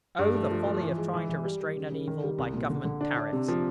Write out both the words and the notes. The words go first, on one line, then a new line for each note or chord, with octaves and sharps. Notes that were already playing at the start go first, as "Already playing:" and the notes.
Oh, the folly of trying to restrain an evil by government tariffs!
G2
A3
F3
F3
E3
G#3
E3
E3
G3
G3
C#3
C#3
D#3
G3
C2
A#2
D3
D3
D4
D4
C3
F3